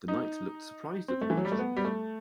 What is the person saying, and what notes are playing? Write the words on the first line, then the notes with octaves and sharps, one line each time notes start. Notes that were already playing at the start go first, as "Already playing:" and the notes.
The Knight looked surprised at the question.
D#4
C4
A3
E3
F#3
G3
A3
B3
G3
A3